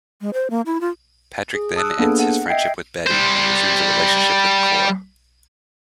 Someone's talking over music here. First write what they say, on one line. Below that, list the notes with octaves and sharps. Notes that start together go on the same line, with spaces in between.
Patrick then ends his friendship with Betty and resumes a relationship with Cora.
G#3
C5
A#3
E4
F4
G#4
A5 D#6 E6 F#6
A#3 B3 D4 G#4 A4 B4
F#5
D#5 E5 G5 G#6 B6 C7
G3 C5